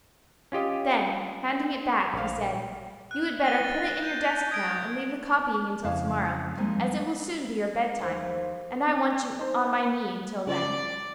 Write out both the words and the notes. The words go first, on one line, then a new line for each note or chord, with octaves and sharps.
Then, handing it back, he said, "You had better put it in your desk now, and leave the copying until to-morrow, as it will soon be your bedtime, and I want you on my knee until then."
C#4 F4 G4 D#5
A#1 F5
F#6
A#6 D#7 G7
A6
G6
D#6 G#6 A6 D7
F2 C#3 E4 F5 A5
F3 G3 G#3 A#3 C4 D#4
D#2 F3
D#4 C5
C#3 F3 D5